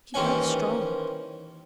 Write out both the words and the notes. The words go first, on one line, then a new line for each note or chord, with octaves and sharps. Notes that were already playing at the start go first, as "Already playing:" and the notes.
She felt strong.
D#2 E3 C4 C#4 G#5